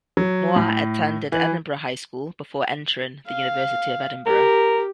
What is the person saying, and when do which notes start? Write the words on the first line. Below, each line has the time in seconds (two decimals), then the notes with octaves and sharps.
Moir attended Edinburgh High School before entering the University of Edinburgh.
0.17 F#3
0.56 A2
1.32 E3
3.27 F5
4.26 G4 A#4